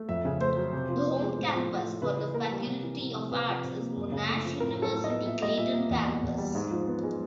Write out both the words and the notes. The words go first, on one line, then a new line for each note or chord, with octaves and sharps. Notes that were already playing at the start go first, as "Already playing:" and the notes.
The home campus for the Faculty of Arts is Monash University Clayton Campus.
Already playing: A3
F2 E5
C#3
A3 C5
F#3
C3
F3
B3
G#3
A2
F3
A2
A3
C#3 B4
E3
A#3 A#4
G3
C3
E3
C3
A3
C3 B4
F3
C3
A#3
F#2
C#3
A3
F3
A2 A#4
F#3
A4
A2
D#5
B3
A#2 E5
G3 D#5
A#2 E5
A#3
E2
B2
E2
G3
G#2
F3
B3
G#3